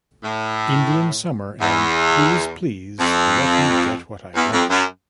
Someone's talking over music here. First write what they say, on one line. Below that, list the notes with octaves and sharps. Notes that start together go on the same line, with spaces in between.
"Indian Summer", and "Please, Please, Let Me Get What I Want".
A2
E2
F2
E2
F2
F#2